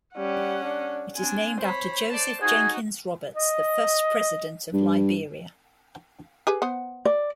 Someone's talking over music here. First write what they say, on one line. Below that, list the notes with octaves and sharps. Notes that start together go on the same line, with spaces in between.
It is named after Joseph Jenkins Roberts, the first president of Liberia.
G3 C#4 F#5
D4
C4 D4 G#5
C5 C#5 B5
D5 A5
D#4 F#4 G#4
D#5
G2
G4 G#4 B4
B3 C5 F#5
D5